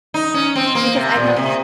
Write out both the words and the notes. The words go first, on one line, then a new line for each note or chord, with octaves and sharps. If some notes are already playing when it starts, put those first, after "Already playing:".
because I know
D#4
C#4
C4
A#3
C3
A#2
C3